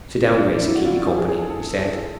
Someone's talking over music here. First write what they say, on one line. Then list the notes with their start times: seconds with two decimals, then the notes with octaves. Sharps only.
"Sit down, Grace, and keep me company," he said.
0.22 C4
0.38 D4
0.54 D4
0.64 E4
0.75 F#4
0.86 F4
0.97 F#4
1.07 G4
1.18 G#4
1.29 G#4
1.39 A4
1.50 A4